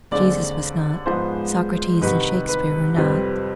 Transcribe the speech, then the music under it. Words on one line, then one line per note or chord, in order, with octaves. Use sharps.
Jesus was not; Socrates and Shakspeare were not.
D#2 D3 G#3 C4 D5
G#2 F3 G#3 B3 C5
C2 C3 D#3 B4
B4
F2 C3 G3 C4 B4